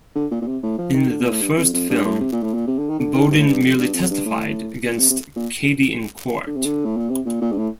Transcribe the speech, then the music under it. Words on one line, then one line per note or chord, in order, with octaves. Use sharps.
In the first film, Bowden merely testified against Cady in court.
D3
A#2
A#2
C3
A2
F3
D#3
D3
A#2
A2
G2
F2
F2
G2
A2
C3
A#2
A2
A#2
C3
D3
D#3
D3
D#3
G2
A2
G2
F2
G2
F2
G2
A2
A#2
C3
C3
A#2
D3
C3
D3
A2
A#2
C3
A#2
A#2
G2
A2